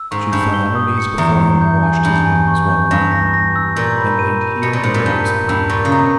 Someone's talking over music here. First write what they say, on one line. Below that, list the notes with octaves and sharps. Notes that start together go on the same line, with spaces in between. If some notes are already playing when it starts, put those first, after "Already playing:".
She fell on her knees before him and washed his wounds one by one, and laid healing herbs upon them.
Already playing: E6
G#2 C#6
G2 G6
G7
D#6
C#7
E2 A#5
A#5
G6
G#5
G2 G6
G#5
C#6
G6
G2 A#6
A#6
A#6
E6
A#2 G6
B5
D#7
D#7
B2 C#7
A#2
G#2 C#7
A#2
G2 G6
G6
G2 E6
A#2 C#6
C#3
B2 A#5